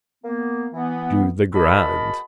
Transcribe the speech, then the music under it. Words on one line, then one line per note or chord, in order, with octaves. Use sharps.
Do the grand.
A#3 B3
E3 B3
F#4 G#4 A#4 D#5 A5 B5